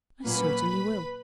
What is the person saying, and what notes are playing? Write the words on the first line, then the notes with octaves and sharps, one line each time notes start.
"I certainly will."
A#2 F#3 A#3 C#4 B4 B5